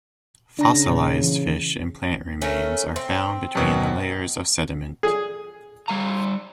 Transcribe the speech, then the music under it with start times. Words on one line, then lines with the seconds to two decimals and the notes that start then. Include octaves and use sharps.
Fossilised fish and plant remains are found between the layers of sediment.
0.59 C#3 D4 A#5 A#6
0.88 A#2
1.22 E3
2.41 A3 C#4 A#4
2.96 C4
3.55 F#2 B2 F#3
5.03 G#4
5.88 G3 F5 A#5